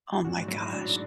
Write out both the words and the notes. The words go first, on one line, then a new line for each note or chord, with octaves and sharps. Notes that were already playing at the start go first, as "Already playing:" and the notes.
Oh my gosh.
A#2 F#4
G#2
A2 F#3
A2
G#2 D4